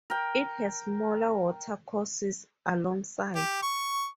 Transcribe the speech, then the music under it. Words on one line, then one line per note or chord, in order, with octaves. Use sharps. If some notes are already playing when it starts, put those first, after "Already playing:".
It has smaller watercourses alongside.
A#4 G5
G4
C#6